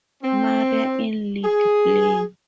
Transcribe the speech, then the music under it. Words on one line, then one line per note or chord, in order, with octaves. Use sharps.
Marie in league play.
C4
G#4